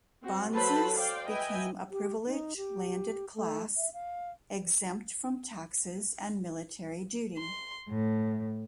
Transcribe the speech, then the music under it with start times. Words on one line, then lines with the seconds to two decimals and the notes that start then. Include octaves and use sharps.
Bonzes became a privileged landed class, exempt from taxes and military duty.
0.23 C4 F#4
0.54 F#3 A4 B4 C5 A5 B5
0.95 C5 D5 F5 G5
1.27 B4 D#5 E5 G5 G#5
1.91 G4
2.26 D#4
2.57 G4
3.35 A3
3.77 E5
3.93 F5
7.36 C6
7.88 A2